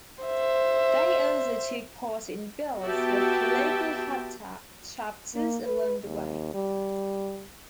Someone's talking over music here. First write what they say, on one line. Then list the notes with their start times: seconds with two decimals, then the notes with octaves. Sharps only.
They also took part in builds with local Habitat chapters along the way.
0.23 C5 E5
2.82 B3 F#4 G4 E5 G5 A5
5.35 A#3
5.66 B4
6.06 D#2
6.54 G3